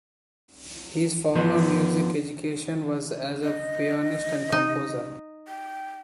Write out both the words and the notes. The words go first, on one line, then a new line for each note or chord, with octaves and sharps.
His formal music education was as a pianist and composer.
F3 B3
D#5
D#4
G5